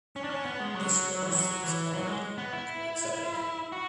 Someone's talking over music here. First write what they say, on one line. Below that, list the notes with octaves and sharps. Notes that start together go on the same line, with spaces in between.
This girl sleeps all day and wakes up at night.
C#4
D4
C#4
B3
G#3
F#3
E3
F#3
E3
F#3
G#3
B3
E4
F#4